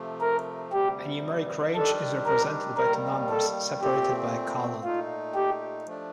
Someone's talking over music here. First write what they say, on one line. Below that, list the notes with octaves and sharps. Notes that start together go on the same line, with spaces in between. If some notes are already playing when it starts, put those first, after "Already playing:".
A numeric range is represented by two numbers separated by a colon.
Already playing: C3 F3 A3
A#4
D2 C3 G3 G4
D#3 G3 D4 G4 A4
A#4
D#2 D#3 G3 A#4
A4
A#2 A3 C4 G4
A#2 A3 D#4 F4
G4
F3 A3 D4